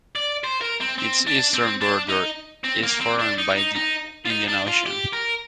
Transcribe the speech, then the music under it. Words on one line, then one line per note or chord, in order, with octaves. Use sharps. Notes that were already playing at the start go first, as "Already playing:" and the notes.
Its eastern border is formed by the Indian Ocean.
D5
C5
A#4
C4
C4
D4
C4
D4
D#4
C4
A#3
C4
D4
D#4
D#4
D#4
F4
D#4
D4
F4
G4
A#4